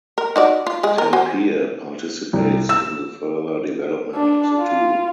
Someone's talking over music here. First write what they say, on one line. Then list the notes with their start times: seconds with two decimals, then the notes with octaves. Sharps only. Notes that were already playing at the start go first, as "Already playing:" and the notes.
Tampere participates in the further development of the tool.
0.18 A#4
0.36 D#4 F#4 D5
0.67 F4
0.83 G#3 G#4
0.98 A#4
1.13 F#4 C5 G#5
2.33 C2
2.69 E6
4.15 D4
4.60 F4